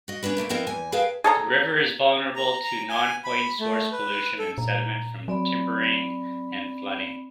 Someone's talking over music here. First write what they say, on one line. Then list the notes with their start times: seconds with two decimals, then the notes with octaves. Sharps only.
The river is vulnerable to Nonpoint source pollution and sediment from timbering and flooding.
0.08 F#4 D#5
0.23 B3 C#4 D4 F#4 B4
0.37 A#2 E3 A3 A#3
0.49 F3 B3 C4 E4 A#4 D#5
0.67 E2 G#5
0.92 G#4 A#4 B4 F5 G5 A5
1.24 G#4 A4 A#5
2.36 A#5
2.64 A#5
2.89 G#5
3.24 B5
3.60 A3
3.92 B4
4.39 A4
4.58 A#2 A#5
5.28 F#3 C4 D5 B5